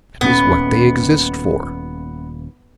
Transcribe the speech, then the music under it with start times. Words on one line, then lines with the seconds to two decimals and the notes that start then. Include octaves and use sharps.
That is what they exist for.
0.21 D#1 A#2 B3 C#4